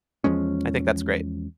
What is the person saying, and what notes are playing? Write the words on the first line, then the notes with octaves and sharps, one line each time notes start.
I think that's great.
E2 F3 G#3 C#4